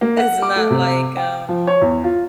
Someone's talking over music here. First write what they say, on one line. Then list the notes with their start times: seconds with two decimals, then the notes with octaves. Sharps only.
it's not like, um,
0.01 A#3
0.17 F#5
0.42 D6
0.56 A3
0.70 C3
1.17 G5
1.49 F3
1.67 C#5
1.82 E2
2.04 F4